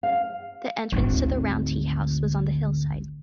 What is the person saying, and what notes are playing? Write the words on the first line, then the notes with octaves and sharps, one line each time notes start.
The entrance to the round teahouse was on the hillside.
F5
G#1 D2